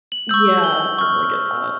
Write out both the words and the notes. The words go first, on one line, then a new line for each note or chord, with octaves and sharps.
Yeah, definitely get that.
F#7
C#6 E6 G6 F#7
G7
C#6 F6